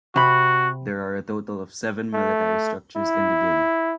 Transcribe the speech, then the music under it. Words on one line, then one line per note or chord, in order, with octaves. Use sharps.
There are a total of seven military structures in the game.
C3 F#4 B5
A3
E4